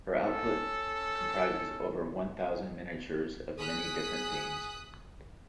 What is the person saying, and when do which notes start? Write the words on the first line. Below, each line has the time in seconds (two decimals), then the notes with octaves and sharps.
Her output comprises over one thousand miniatures of many different themes.
0.20 C#4 A4
3.57 G#4 D#6 F#6 B6